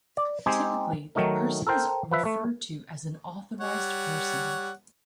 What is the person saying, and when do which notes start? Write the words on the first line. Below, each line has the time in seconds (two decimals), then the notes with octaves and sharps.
Typically, the person is referred to as an authorised person.
0.17 D5
0.46 G#3 C4 D#4 G4 G#4
1.15 D#3 F#3 A3 D#4 A#4
1.67 A4 A#4 C5 G5
2.11 F3 B4 E5
2.25 A3
3.61 G3 C#5 F#5